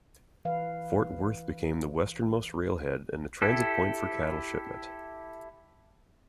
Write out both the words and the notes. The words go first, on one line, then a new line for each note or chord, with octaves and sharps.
Fort Worth became the westernmost railhead and a transit point for cattle shipment.
E3 B4 F5
E4 G4 A4